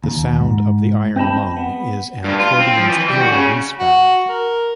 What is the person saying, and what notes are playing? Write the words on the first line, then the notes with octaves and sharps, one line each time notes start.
The sound of the iron lung is an accordion's air release valve.
D#2
G#2
C4 C5 D#5 A5 B5
B3
G2
F4
C4
F3
E3
G3
F#4
C#3
F#4
A#4